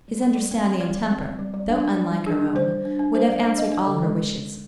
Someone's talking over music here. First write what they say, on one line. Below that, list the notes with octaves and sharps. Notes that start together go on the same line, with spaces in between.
His understanding and temper, though unlike her own, would have answered all her wishes.
G3
G3
G3
C4
C4
G3 D5
G3
C4
C4
G3
G3
D4
D4
G3
G3
D4 G#4
D4
G3 C5
G3
D4
D4
G3 C5
G3 D5
D4 F5
D4 D#5
D4
D3
G#3